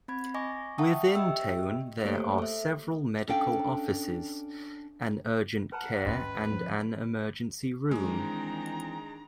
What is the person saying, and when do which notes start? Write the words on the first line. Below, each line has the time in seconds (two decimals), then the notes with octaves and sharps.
Within town there are several medical offices, an urgent care and an emergency room.
0.08 C4 B5 G#6
0.34 D#5 G#5 C#6 D6 A#6
0.78 E5 F#5 G5 A5 C#6 D#6
1.15 G4 D#5 E5 G5 E6
2.05 A3 A#3 G4 A4 C5 C#5
2.39 A4 E5
3.28 C#4 D4 A4 F5 G5
5.72 B4 F#5 A5 A#5
6.06 D#2 G#2 C#4 F#4 B4 D#5
6.51 F3
7.91 D#3 E3 G#3 C4 D4 D#4 A#5